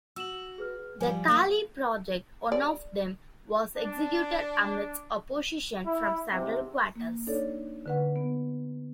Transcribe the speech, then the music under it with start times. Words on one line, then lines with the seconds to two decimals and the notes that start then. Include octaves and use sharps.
The Kali project, one of them, was executed amidst opposition from several quarters.
0.16 F#4 E6 E7 F#7
0.58 G#4 B4 F6
1.01 F3 G3 F5 G#5
1.28 A#3 D#4 A#4 F5
2.52 D5
3.78 D4
5.86 E4
6.32 E2 G#2 C3
6.96 A#3
7.27 D4 D#4 A4 C#5 D5
7.86 D3 B4 F#5
8.16 B3